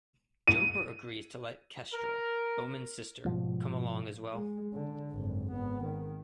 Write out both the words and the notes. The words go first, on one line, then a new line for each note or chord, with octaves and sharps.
Jumper agrees to let Kestrel, Bowman's sister, come along as well.
D#7
A#4
G#2 B2 F3 G3
G#3
D3
G#1 F#2
G#1 B3
D#3